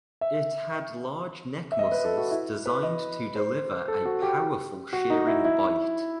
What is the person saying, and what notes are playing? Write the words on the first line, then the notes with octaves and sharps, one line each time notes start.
It had large neck muscles designed to deliver a powerful shearing bite.
E5
E5
D#5
B4
A4
F#4
E4
B4
D#5
C5
A4
F#4
G4
F#4
D#4
E4
E4